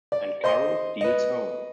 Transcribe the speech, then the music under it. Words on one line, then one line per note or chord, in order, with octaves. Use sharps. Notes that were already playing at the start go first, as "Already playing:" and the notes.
"And Carew steals home".
D5
C5 D#5 C6
B4 D#5